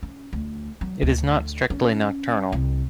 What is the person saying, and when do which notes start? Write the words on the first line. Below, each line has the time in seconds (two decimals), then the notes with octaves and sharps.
It is not strictly nocturnal.
0.03 C#4
0.33 D2
0.81 F#3
1.02 D2
1.70 C#4
2.52 C2